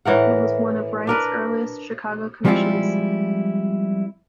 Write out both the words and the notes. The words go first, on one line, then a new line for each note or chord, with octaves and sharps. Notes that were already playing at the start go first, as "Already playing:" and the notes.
It was one of Wright's earliest Chicago commissions.
A2 E3 A#4 F#5
D4 A#4 B4
F3 G3 G#3 C4 E4 F4